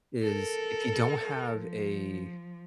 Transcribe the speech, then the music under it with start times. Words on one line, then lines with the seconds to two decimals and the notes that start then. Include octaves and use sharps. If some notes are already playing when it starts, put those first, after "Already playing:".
is, if you don't have a
0.22 A4 A#4
1.54 F3